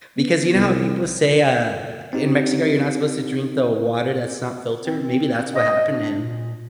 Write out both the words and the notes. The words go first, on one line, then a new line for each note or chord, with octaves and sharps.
because you know how people say, uh, in Mexico, you're not supposed to drink the water that's not filtered, maybe that's what happened to him.
B3
C2
C4 D#4 G4
C4
C4
D#5
D4
A#2